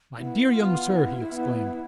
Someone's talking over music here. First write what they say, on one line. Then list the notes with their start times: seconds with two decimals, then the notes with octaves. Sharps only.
"My dear young sir!" he exclaimed.
0.18 B3 E4
0.55 B3 F4
0.93 E4
1.30 B3